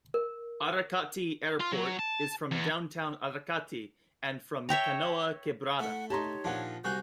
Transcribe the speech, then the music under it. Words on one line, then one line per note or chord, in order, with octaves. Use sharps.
Aracati Airport is from downtown Aracati and from Canoa Quebrada.
A#4
F4
F#3
A5
E2
C#5 E5 G5 A#5
A3 E4 F#5
D#4 G4 C#5 A5 A#5 C6
A#2 D#3 F3 D4 F4 F#5
C2 A#3 F#4 G#5 F#6 G6